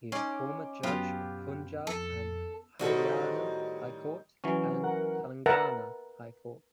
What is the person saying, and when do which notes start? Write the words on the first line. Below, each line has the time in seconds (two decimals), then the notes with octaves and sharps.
He is former Judge of Punjab and Haryana High Court and Telangana High Court.
0.12 C#4 D#4 C6 D6
0.83 F#2 B2 B3 F4 G4
1.87 F2 A4
2.79 A2 D#3 G3 C4 F#4 A4
4.44 E3 F#3 C#4
4.83 A#4 F#5
5.46 A#4 B4 E5 F#5 A5